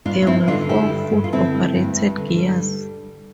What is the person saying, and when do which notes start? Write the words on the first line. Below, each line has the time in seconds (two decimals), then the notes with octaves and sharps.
There were four foot-operated gears.
0.05 G2 D4 F4
0.22 F4
0.26 G2 C4 E4
0.48 D3 D4 F4
0.69 G3 E4 G4
0.90 G2
1.11 G2
1.24 F4
1.32 D3 C4 E4
1.54 G3
1.74 G2
1.96 G2
2.18 D3
2.38 G3